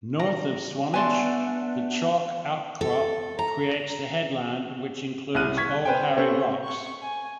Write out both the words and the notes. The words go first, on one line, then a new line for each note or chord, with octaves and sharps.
North of Swanage, the chalk outcrop creates the headland which includes Old Harry Rocks.
A#5
A3 B3 D4 E5 F#5 G#5 C6 C#6
A4
A#5
C2 F6 F#6 D#7
C#6 G#6 B6
B4 C5 G5
C4 C#4 A4 C5
C#6
G#5